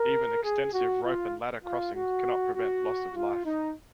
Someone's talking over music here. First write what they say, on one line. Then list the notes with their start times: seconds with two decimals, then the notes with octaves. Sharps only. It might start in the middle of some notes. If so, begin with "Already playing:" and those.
Even extensive rope and ladder crossings cannot prevent loss of life.
Already playing: A#4
0.43 G#4
0.73 F#4
1.04 F4
1.64 F4
1.94 F#4
2.54 F#4
3.15 F4
3.45 D#4